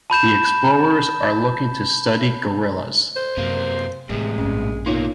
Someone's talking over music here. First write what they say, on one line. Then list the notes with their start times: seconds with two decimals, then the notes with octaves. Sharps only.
The explorers are looking to study gorillas.
0.10 A5 B5 G6 E7
3.16 C5
3.37 F#2 C3 A#3
4.09 A2 C3 E3 G#3 A#3
4.38 A#1 G2 C#4
4.86 B2 A#3 D#4 F4 C#5